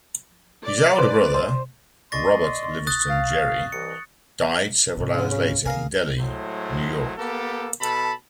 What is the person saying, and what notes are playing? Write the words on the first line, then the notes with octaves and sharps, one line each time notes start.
His elder brother, Robert Livingston Gerry, died several hours later in Delhi, New York.
D5
B4 C5
C5
D5 D#5 C6 C#6 A6 A#6
D#6 F#6 A6
F5
C2 E3 D#5 C#7
G#2 C3
C#2 D3
C#3
C3 G#4 A#4 F5
A2 F#3 G#3 A3 C5
A#3 B3 G4 A4
B2 A4 A5 B5